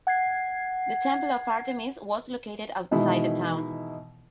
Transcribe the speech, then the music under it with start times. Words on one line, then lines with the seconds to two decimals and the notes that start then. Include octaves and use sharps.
The temple of Artemis was located outside the town.
0.07 F#5 G#6 C7
2.91 B2 D#3 E3 G#3 D#4 E4